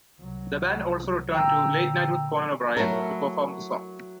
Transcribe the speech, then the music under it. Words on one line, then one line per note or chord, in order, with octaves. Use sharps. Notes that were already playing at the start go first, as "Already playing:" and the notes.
The band also returned to "Late Night with Conan O'Brien" to perform the song.
C2 F#3
A#2 D3 G5 A#5 E6
F#3 A3 E4 A#4